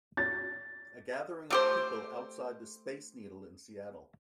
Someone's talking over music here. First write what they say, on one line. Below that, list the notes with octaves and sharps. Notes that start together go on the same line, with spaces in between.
A gathering of people outside of the Space Needle in Seattle.
A6
A3 G4 C5